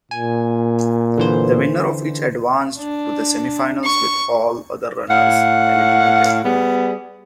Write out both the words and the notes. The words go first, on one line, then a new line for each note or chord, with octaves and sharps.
The winner of each advanced to the semifinals, with all other runners eliminated.
A#2 G#5
D3 E3 C5
D4
C#6
A2 F5 F#5
G3 B3 G#4